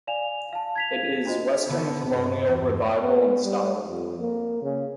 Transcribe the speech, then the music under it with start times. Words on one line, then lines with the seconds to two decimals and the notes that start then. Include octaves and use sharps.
It is "western colonial revival" in style.
0.07 D5 F5 G#5 E7 F7
0.53 F5 A5
0.76 G#6 B6 F7
1.26 D4 F4 F#4 C5 D#5
1.67 D3 B3
2.07 G2 C3
2.47 E2 G2
3.01 B3
3.44 G3
3.85 F2
4.20 A#3
4.63 C#3